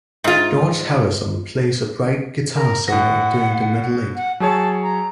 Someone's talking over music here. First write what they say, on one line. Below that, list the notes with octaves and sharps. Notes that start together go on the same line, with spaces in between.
George Harrison plays a bright guitar solo during the middle eight.
G#2 F4
A#4
A2 F#5 A#6
F#5
F#3 G#4 C#5 A5
A#5